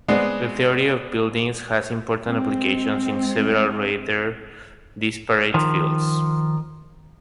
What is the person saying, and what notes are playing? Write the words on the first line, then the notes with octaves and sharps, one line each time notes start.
The theory of buildings has important applications in several rather disparate fields.
G#3 B3 C4 D4
G#3 C4
D#3 F3